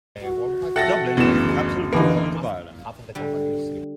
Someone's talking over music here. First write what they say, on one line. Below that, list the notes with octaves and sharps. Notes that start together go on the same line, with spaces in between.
Dublin is the capital of the Republic of Ireland.
F#4
A4 E5 F#5 G5 A6 A#6
F#1 D2 C#3 E3 B3 E7
D3 E3 A#3 D#4 B4
D3 G3